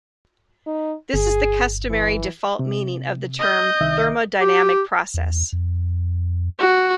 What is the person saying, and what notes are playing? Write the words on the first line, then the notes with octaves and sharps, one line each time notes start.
This is the customary default meaning of the term 'thermodynamic process'.
D#4
G1 G#4
E3
C3
D#5 G6
C2 D#3 E5
G4
E2
F2
F#4